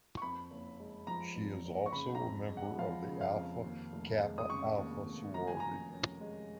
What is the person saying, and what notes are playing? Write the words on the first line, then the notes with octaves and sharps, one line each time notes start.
She is also a member of Alpha Kappa Alpha sorority.
C#6
F2 B5
F#1
G#3
F3 A#5
F2
F#1
C#6
C#3 B5
A#5
F2
G#3
F#5
F3 F5
C#3
F5
F2
D#2
F1
G#3
D#6
C#3 C#6
D#2
F1
F3 A#5
G#5
F#2 A#5
C#4
G#3